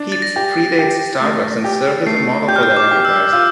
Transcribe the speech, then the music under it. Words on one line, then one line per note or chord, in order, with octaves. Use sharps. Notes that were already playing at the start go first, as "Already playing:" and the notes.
Peet's predates Starbucks and served as a model for that enterprise.
Already playing: D4
A6
A#6
G4
G4
A3
G4
A3 C7
G4 G6
F6
G6
D6
G4
E6
F4 E6